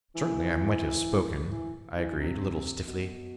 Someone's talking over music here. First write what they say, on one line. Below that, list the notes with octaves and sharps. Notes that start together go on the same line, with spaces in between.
"Certainly I might have spoken," I agreed, a little stiffly.
E3
E3
E3
C3
B2